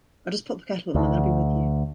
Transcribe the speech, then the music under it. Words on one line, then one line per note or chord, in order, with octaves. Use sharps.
I'll just pop the kettle on and then I'll be with you.
D2